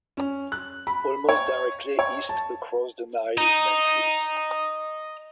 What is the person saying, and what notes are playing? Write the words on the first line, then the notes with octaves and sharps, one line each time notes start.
Almost directly east across the Nile is Memphis.
C#4
F#6
B5
C#5
C#5
A5
D#5 A#5